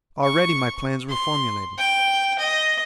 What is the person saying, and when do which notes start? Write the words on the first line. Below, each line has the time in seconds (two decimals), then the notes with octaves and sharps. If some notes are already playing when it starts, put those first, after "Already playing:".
Already my plans were formulated.
0.23 C#6
1.09 C6
1.78 G5
2.39 D#5